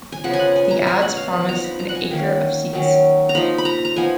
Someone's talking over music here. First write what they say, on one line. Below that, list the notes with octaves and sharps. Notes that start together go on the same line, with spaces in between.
The ads promised "An acre of seats".
G#5
C#3 F3 B3 F#5
G#5
F#5
G#5
A#5
B2 F#3 C#4 G#5
F#5
F5
F#5
F3 B3 D#4 A#5
B5
A#5
F#5
G#5
D#3 A#3 C#4
D#3 F#3 C#4
A#5
F3 A#3 D#4 B5
B5
A#5
A#5
F3 B3 D#4 G#5